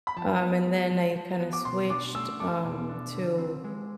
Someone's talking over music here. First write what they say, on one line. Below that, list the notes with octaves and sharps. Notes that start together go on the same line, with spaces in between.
um, and then I kinda switched, um, to
B5
F3 A5
B3
G#3
F3
F3
B3
D6
B2 C6
D4 D6
A3 E6
A4 D6
B2
D4
D3
C4
G#3